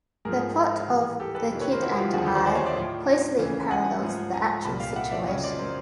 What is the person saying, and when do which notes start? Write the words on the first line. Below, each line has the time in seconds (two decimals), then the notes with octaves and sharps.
The plot of "The Kid and I" closely parallels the actual situation.
0.25 G#2 F3 G#4 A#4
0.88 A2 E3 G3
1.20 G4 A4
1.35 A4 B4
1.51 F2 C3 D#3
1.61 B4 C#5
1.71 A#4 C5
1.83 E4 F#4
1.97 F4 G4
2.13 D#2 D3 F3 F#4 G#4
2.24 G4 A4
2.35 C5 D5
2.45 C5 D5
2.55 C#5 D#5
2.65 D5 E5
2.77 A2 F3
3.39 C#2 C#3 E3
3.71 F#5 G#5
4.02 G#2 F3
4.34 G#5 A#5
4.65 C2 A#2 G3 A5 B5
4.80 F5 G5
4.96 E5 F#5
5.11 D5 E5
5.27 F2 C#3 F#3 C#5 D#5
5.44 C5 D5
5.59 A#4 C5